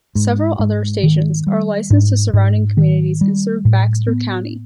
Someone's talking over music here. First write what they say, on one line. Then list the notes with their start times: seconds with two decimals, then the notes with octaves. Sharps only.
Several other stations are licensed to surrounding communities and serve Baxter County.
0.15 G#2
0.59 G#2
1.03 D#3
1.47 G3
1.90 G#2
2.33 G#2
2.77 D#3
3.21 G3
3.65 A2
4.08 B3